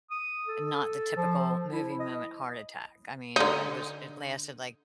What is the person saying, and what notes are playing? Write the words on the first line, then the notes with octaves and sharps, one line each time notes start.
not the typical movie moment heart attack, I mean, it was it lasted, like,
D#6
A4
F3
E4
D#5
D3 D#4